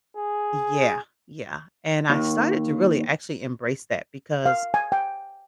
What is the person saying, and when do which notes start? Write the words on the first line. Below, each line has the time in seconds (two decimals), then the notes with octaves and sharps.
Yeah, yeah, and I started to really, actually, embrace that because
0.17 G#4
2.10 D#2
4.46 F5
4.74 G#5
4.92 G5